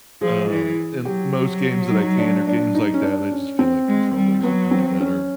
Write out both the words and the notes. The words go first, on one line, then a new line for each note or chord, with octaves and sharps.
Um, and most games that I can are games like that. I just feel like controllers are kinda better
F3 G#4
E3
F#3 G4
D#4
D4
D4
D#4
C#4
D4
C#4
C4
G#3
G3
F#3 B3
C4
C#4